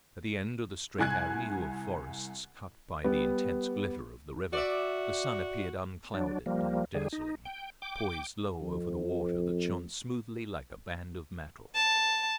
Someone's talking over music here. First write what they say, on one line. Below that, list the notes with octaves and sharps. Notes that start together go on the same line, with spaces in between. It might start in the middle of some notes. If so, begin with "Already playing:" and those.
At the end of the straight avenue of forests cut by the intense glitter of the river, the sun appeared unclouded and dazzling, poised low over the water that shone smoothly like a band of metal.
C2 G#5 F#6 G#6
G3 B3
F#4 D5 E5
F#3 D4
F3 G3 A#3
D3 G3 G#4
D#4
G5
G5 D6
F2
A5